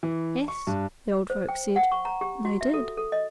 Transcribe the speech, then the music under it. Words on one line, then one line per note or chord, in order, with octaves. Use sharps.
Yes, the old folk said, they did.
E3
C#6
G2
C5
G5
F#5
C#6
A#5
G4
F#4
E5
A4
A4
D#5